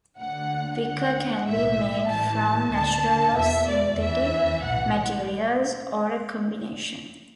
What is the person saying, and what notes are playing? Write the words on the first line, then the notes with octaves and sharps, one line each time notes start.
Wicker can be made from natural or synthetic materials, or a combination.
D2 D3 F#5
D2 D3 F#5
B1 A2 E3 E5
A1 A2 E3 A5
D2 D3 A5
E2 B2 E5
D5
E2 E3 E5
B1 A2 E3 F#5